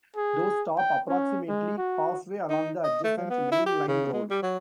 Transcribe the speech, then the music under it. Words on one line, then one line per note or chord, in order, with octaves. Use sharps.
Those stop approximately halfway along the adjacent main-line road.
G#4
G5
C#4
G#3
F#4
D#4
D#5
A3
F3
B3
E4
G4
C#3
G#3
G3
F#3